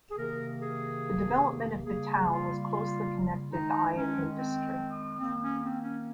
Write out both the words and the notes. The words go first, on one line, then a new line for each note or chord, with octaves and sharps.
The development of the town was closely connected the iron industry.
G#4
C3 D#3 A#3 A#4
G#4
C#3 G3 A#3 G#4
F4
F4
D#3 G#3 D#4
C#4
C4
D#3 A#3 C4
C#4
C4
C#4